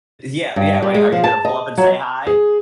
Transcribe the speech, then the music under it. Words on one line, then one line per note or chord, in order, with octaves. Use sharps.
Yeah, yeah, right. Are you gonna pull up and say hi?
G2
G3
G#3
F3
A5
D#5
F#3
G#4